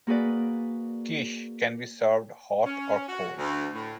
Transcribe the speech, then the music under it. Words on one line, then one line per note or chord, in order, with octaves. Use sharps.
Quiche can be served hot or cold.
A#3 F#4 G#4 B4 D5
C#4
F#4
D2
A2